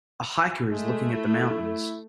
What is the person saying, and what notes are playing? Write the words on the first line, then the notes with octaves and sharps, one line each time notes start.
A hiker is looking at the mountains.
G#3 A3
E4